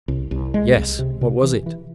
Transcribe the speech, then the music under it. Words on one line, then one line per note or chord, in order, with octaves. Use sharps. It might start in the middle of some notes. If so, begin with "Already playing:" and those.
"Yes, what was it?"
C2
C2
G#3
C2
C3
C3
E3
E3